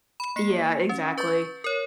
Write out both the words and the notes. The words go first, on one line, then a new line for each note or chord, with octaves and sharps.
Yeah, exactly,
B5
A#3 C7 C#7
C#4
B4 C#6 G6 A6
A#4 C#5